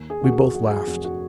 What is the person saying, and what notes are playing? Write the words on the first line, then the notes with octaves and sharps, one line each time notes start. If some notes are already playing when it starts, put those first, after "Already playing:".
We both laughed.
Already playing: D#2
G#4
D#2 F#4
G#4
F#3 F#4
G#4
F1 F#4
F#4